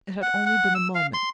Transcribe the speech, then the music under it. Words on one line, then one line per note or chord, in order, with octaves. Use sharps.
It had only been a moment.
F#5
F#5
E6
F5
C6